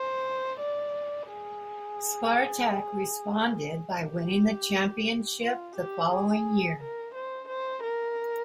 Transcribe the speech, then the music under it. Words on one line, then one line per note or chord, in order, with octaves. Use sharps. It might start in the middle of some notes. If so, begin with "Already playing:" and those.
Spartak responded by winning the championship the following year.
Already playing: C5
D5
G#4
G4
F4
G4
G#4
A#4
C5
C5
A#4